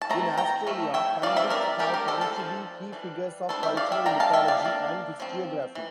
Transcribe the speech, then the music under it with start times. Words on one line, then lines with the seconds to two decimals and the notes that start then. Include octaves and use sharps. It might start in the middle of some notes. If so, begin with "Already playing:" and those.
In Australia, convicts have come to be key figures of cultural mythology and historiography.
0.02 A5
0.09 E3 A3 C4 A#5
0.38 G5 A#5
0.67 F3 A3
0.94 E5 G5
1.22 E3 G3 C4 D5 F5
1.36 C5 E5
1.50 A#4 D5
1.79 G3 D4 G4 A#4
1.94 G4 A#4
2.08 A4 C5
2.21 A4 C5
2.36 F3 A#3 D4
2.92 E3 G3 D4
3.49 G3 D4 A4 C5
3.63 C5 E5
3.77 D5 F5
3.92 E5 G5
4.06 G3 D4 G5 A#5
4.20 F5 A5
4.33 E5 G5
4.48 D5 F5
4.62 G3 A#3 D4
5.20 F3 C4
5.75 E3